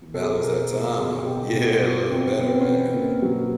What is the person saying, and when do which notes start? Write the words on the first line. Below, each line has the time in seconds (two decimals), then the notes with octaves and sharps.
Balance that time out, yeah, a little better man, yeah.
0.14 B2 A4
0.22 G#4
0.31 A4
0.43 B2 A#4
0.70 B2
0.98 B2 G#4
1.26 B2 G4
1.54 B2 F#4
1.82 B2 F4
2.10 B2 C4
2.38 B2 B3
2.46 C4
2.54 B3
2.61 C#4
2.66 B2 C4
2.94 B2 A#3
3.22 B2 F#3